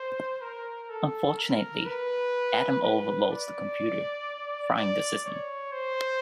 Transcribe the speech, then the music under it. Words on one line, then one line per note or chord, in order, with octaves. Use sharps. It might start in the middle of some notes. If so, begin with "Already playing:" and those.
Unfortunately, Adam overloads the computer, frying the system.
Already playing: C5
A#4
A4
A#4
B4
B4
D5
D5
C#5
C5